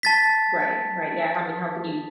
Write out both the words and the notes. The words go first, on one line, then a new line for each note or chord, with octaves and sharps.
Right, right, yeah, I mean, how can you
A5 A6 B6